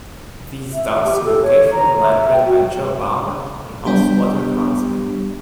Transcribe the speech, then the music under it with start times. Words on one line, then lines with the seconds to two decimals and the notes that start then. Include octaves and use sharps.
These dogs were carefully linebred by Joe Bowman, an Ullswater huntsman.
0.73 E5
1.04 G4
1.23 A4
1.42 C#5
1.72 A#5
2.01 E5
2.33 G5
2.44 F#4
3.85 G3 B3 D4 G4